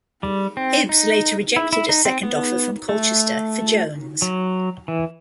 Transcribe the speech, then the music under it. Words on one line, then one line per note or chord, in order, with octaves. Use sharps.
Hibs later rejected a second offer from Colchester for Jones.
G3
C4
D#4
E4
E4
D#4
C4
B3
A3
F#3
E3